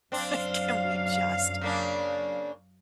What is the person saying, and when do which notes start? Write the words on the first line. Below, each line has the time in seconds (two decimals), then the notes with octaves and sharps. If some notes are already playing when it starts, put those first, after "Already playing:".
Like, can we just
0.12 F#2 C4 D4 F5
1.61 C#3 A#3 D4